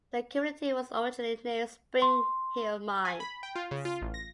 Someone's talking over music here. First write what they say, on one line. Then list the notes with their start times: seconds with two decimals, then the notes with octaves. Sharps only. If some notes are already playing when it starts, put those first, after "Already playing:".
The community was originally named Springhill Mines.
2.02 C6
3.05 G#5
3.20 B5
3.43 G5
3.56 F4
3.71 C#3
3.85 F4
4.01 A1
4.14 A#6